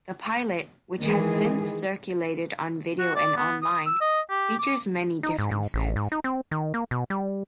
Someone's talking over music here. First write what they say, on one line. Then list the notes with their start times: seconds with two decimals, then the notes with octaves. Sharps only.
The pilot, which has since circulated on video and online, features many differences.
1.01 D#3 E3 G#3 G#4
2.99 F#4
3.16 D5
3.36 B3
3.62 D#6
3.86 E6
4.01 D#5
4.30 G4
4.58 D6
5.23 D#4
5.39 G#2
5.51 G#2
5.74 A1
5.96 G#2
6.12 D#4
6.24 C4
6.51 D#3
6.74 A#3
6.91 B2
7.10 G3